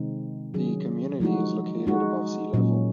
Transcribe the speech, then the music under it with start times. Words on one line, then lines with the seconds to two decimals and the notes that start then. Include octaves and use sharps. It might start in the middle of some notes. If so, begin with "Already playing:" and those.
The community is located above sea-level.
Already playing: C3 D#3 G#3 C4 D#4
0.54 D#3 F#3 C#4 G#4
1.20 F3 G#3 D#4 F#4
1.87 G#3 D#4 F#4
2.54 A#2 F#3 C#4